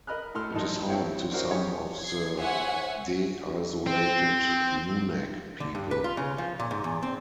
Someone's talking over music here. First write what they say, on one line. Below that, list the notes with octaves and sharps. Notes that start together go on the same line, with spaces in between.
It is home to some of the deisolated Nunak people.
A#4 D#5 B5 F6 F#6
A2 A4 C6 F6
A1 F#2 D#4 A5
C4 E4 C#5
C4 D4 E4 F#4 A#4 C5
G4 G#4 C5 C#5 D#5
G#6 C7
C5 C#5 E5 F#5 G#5
C4
D3
G2
B4
F4
C#3
F3
A#2
G#2
E2
C4